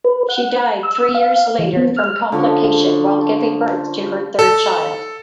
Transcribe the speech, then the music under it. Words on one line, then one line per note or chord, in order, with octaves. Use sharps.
She died three years later from complication while giving birth to her third child.
B4
F#5
E6
F5
E3
B3
F6
D3 F3 C#4
A4